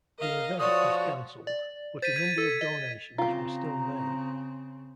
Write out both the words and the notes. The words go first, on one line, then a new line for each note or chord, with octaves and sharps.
The event was cancelled, but a number of donations were still made.
A#4 D#5 F5
F3 F#4 C#5 D5 D#6
D5
C5 A6 B6 D#7
G#6 B6 D#7
A4
D#5
C#3 C4 F4 G4 A#5